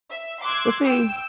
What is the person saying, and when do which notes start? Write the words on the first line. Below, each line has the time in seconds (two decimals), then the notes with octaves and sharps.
well, see,
0.11 E5
0.42 C6 D6 E6 F#6 G#6
0.84 G5 E6